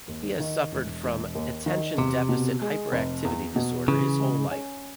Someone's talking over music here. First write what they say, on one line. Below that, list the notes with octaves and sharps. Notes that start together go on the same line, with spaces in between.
He has suffered from Attention Deficit Hyperactivity Disorder his whole life.
D#2
D#3
E1
E1
D#2
D#3
E2 C3
B2
G#3
F1
E2
B2
C#3 E3
G#3
C#4